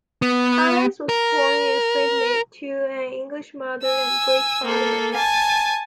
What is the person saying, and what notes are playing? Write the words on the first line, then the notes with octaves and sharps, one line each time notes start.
Carides was born in Sydney, to an English mother and Greek father.
B3
A#4
G#5 E6
A#3 A4
G#5 A5